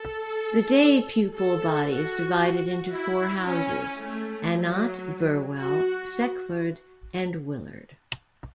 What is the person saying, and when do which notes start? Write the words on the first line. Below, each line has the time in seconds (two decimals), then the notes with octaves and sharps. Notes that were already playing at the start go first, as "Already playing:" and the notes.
The day pupil body is divided into four houses, Annott, Burwell, Seckford and Willard.
Already playing: A4
1.35 A4
1.87 F#4
2.40 F#4
2.92 E4
3.45 C#4
3.97 A3
4.50 F#3
5.55 F#4